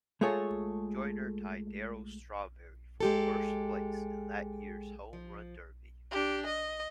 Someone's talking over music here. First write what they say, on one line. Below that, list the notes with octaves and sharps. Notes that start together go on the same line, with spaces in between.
Joyner tied Darryl Strawberry for first place in that year's Home Run Derby.
G#3 A3 F4 G#4 A4 C#5
G#3 G4 A4
F3
D4 G4
D#5